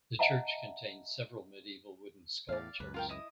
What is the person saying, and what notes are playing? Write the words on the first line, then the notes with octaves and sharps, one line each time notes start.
The church contains several medieval wooden sculptures.
D#5 E5 F#5 A5 A#5
E2 A2 D5 F5
C#2 F#2 B4
F4 A#4 G5
E4 D#5 D#6